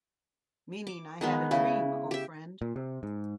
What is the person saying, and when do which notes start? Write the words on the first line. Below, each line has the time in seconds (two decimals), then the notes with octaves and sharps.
Meaning I had a dream O friend!
0.87 D6
1.21 D#3 G#3 B3
1.51 C#3 E4
2.11 G4 E5
2.62 A#2
2.76 C3
3.03 G#2